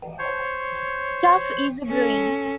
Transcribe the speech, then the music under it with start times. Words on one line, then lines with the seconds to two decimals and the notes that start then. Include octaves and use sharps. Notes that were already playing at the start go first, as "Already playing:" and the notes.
Stuff is a-brewin'.
0.19 C5 C#5
1.87 C#4 A4